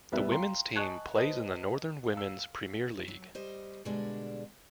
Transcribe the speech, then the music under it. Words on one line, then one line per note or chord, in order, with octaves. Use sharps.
The women's team plays in the Northern Women's Premier League.
C2 G3 B3 B4 E5
F5 G5 A#5 C6
D#5 G#5 A5 C#6 F#6 G#6
B4 C5 D#5 A5
F5 E6
F#3
G3 C5 D#5
B2 D3 G3 G#3 D4